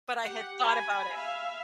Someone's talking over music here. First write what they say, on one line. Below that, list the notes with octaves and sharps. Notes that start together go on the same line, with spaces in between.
But I had thought about it.
G4 F#5
G#5 B5
E5 F5